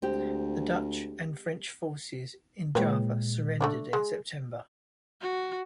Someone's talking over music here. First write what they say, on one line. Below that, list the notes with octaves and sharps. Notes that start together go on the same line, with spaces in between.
The Dutch and French forces in Java surrendered in September.
D2 G#3 C4 G4
A#2 G#3 B4 C#5 G5
A3 C#4 D4
G#3
F#4